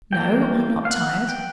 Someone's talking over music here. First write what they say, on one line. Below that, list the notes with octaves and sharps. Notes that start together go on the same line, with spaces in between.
"No, I'm not tired."
E3 G3 A#3 G5
F5
F#5
G5